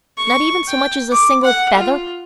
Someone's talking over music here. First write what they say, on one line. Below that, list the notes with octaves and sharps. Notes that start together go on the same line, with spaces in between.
"Not even so much as a single feather?"
C#6
G5
D6
F#5
F4